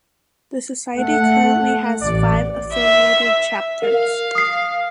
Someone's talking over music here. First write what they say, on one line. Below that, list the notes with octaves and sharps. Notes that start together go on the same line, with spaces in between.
The society currently has five affiliated chapters.
A3 F#5
A1 D5
E5
A#4 F5
D#6 C7